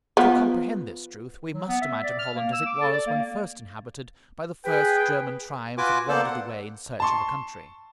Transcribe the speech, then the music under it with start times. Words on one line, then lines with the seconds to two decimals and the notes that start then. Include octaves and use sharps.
To comprehend this truth, we must imagine Holland as it was when first inhabited by the first German tribes that wandered away in search of a country.
0.17 F3 B3
1.53 F#3
1.68 B3
1.81 E5
2.03 D5
2.19 F6
2.35 A#3
2.53 E6
2.66 D6
2.81 A4
2.92 D5
3.07 A#3
4.65 G#4 B4 G5
5.78 F4 F#4 B4 G#5 D6
6.09 A#3 B3 A4 C5 D5 A5
6.26 F#5
7.00 A5 C6 C#6